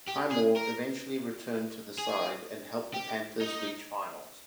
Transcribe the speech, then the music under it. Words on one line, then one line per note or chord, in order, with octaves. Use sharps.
Highmore eventually returned to the side and helped the Panthers reach finals.
G4
G#4
A#4
G#4
G4
D#4